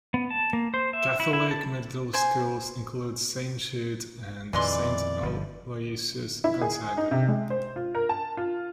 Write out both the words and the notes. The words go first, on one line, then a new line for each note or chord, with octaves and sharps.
Catholic Middle Schools include Saint Jude and Saint Aloysius Gonzaga.
B3
A5
A#3
C5
E5
E4
E4
A5
C5 G#5
F2 A#2 D#3 E3 G#3 D5 C6
G1 F3
E4
G#4
D#4
C3
G#3
C5
F4
A#4
A5
F4